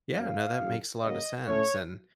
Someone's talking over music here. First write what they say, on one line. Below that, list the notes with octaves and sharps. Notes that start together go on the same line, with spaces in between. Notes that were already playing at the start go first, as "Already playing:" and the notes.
Yeah. No, that makes a lot of sense. And,
F#2 F3 A#3 C#4 F5
F#2 C#3 F#3
C#3 F#3 A#3 D#5
A2 A3 C#4 C#5